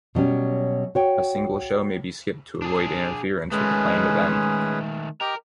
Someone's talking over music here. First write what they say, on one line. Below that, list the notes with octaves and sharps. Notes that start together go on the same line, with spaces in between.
A single show may be skipped to avoid interference with a planned event.
B2 F#3 G3 C#4
F#4 C#5 G5
D4 G#4
D#3 G#3 A3 C#4 G#4 B4
G4 A#4 D#5 G5